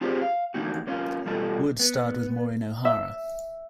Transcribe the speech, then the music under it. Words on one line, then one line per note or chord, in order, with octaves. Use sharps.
Wood starred with Maureen O'Hara.
C4 D4 F4 G4 G#4 C5
F5
E2 G2 D3 A#3 D#4 F#4
A#3 C#4 F4
B2 G3 F4 A4 D#5
B3
E5